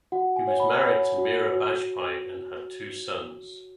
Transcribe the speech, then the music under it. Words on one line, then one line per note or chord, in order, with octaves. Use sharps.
He was married to Meera Bajpai and had two sons.
F#4 F#5
G#5
C#5
B5
C#5
F#4
F#4